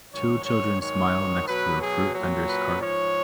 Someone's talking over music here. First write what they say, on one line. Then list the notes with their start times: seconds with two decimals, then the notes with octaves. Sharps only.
Two children smile next to a fruit vendor 's cart.
0.12 G#2 D#3 F#3 C#5
0.45 C#5
0.78 G#2 D#3 F#3 C#5
1.47 B2 F#3 B4
1.80 G#4
2.14 A#2 F#3
2.47 B4
2.80 G#2 F3 C#5